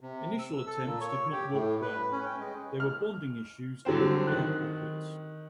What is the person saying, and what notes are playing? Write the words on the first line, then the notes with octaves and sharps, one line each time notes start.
Initial attempts did not work well: there were bonding issues and air pockets.
C3
E6
A4
A#2
C#5
G4
A2
B4
C#4
G5
G#3
F6
D3 F#3 G3 C4 C5
D#3 F#6